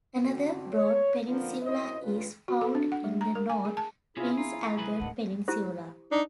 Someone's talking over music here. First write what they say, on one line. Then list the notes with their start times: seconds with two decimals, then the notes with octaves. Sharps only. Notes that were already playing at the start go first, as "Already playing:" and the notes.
Another, broad peninsula is found in the north, Prince Albert Peninsula.
0.23 D3 C4 F#4
0.73 C#5
1.28 D3 F3 A#3 B3
1.62 F#2 E4 C5 D#5
2.01 G2 C#3 F4 B4
2.48 F#4
2.61 A4
2.75 D4
2.92 F#5
3.04 A3
3.21 A#5
3.35 A#4
3.50 G#5
3.65 G#4
3.77 A5
4.17 C3 C#4 E4 F4 G#4
4.38 F4 A#5
4.78 C2 G#3 B4
5.00 D1 D#3 A3 D4 F#5
5.48 E4 G4 C5
6.12 D4 D#4